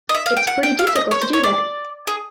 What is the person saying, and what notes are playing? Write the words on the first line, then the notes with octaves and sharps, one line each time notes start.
It’s pretty difficult to do that.
D#5
E5
F5
G5
F#5
G5
F5
E5
D#5
C#5
C5
C#5
D5
G#4